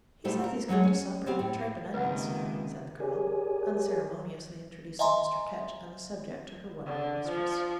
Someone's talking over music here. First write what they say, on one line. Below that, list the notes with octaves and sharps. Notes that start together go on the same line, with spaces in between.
"He says he's come to supper: tripe and onions," said the girl, unceremoniously introducing Mr. Ketch and the subject to her wondering mistress.
A#2 G3 A3 C5 F5
A#4
F#3 G#3 A3 C#5
C#4
B3 C4 G4 F5
A2
C#2 C3 D#3 A#3 B4 F#5
G4 G#4 A#4 C#5 D5 G#5
D#5 E5 G#5 A#5 C6
D3
F3